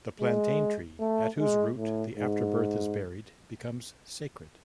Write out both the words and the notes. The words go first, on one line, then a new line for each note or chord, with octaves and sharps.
The plantain tree at whose root the afterbirth is buried becomes sacred.
G#3
A3
G#3
A2
G#2